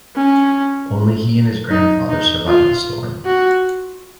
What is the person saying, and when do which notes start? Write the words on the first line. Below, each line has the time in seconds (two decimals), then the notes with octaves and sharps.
Only he and his grandfather survived the storm.
0.16 C#4
1.71 D#4
2.09 D#4
2.48 F4
3.25 F#4